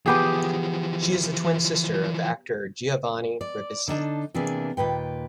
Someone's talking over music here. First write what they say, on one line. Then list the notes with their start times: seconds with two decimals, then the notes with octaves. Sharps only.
She is the twin sister of actor Giovanni Ribisi.
0.06 E3 F3 B3 G4 G#4
3.41 D5
3.88 D3 D4 D#4 A5
4.34 C3 E3 A#3 B3 D4 G#4
4.77 D#2 A#2 B4 G5